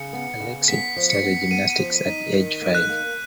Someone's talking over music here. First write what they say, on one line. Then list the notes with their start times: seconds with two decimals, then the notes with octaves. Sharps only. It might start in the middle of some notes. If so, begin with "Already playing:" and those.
Alexei started gymnastics at age five.
Already playing: C#3 C#7
0.13 B3
0.40 C#3
0.68 B3 B6
0.96 F3
1.10 C#7
1.23 B3
1.51 B3 D#7
1.70 D#7
1.78 F3 C#7
2.06 D#4 B6
2.34 D#3
2.62 A#3
2.75 F#6
2.89 A#3